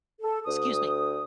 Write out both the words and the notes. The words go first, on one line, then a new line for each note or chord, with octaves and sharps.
Excuse me,
A4
D2 D#6